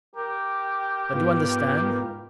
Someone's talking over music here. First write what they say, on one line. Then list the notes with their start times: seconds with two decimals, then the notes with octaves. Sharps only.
Don't you understand.
0.15 G4 A#4
1.13 G#2 B3 F4